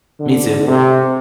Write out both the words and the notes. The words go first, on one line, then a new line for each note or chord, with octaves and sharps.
Me too.
D3
C3